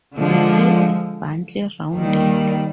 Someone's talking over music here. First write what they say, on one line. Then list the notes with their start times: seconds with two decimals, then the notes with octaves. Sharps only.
The tail is bluntly rounded.
0.17 D3 F3 G#3
1.94 D#2 D#3 G3